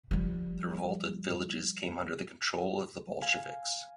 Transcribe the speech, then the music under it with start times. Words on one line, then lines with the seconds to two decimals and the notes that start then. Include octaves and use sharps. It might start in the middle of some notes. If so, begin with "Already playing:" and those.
The revolted villages came under the control of the Bolsheviks.
0.11 F3 G3
3.22 F5 G#5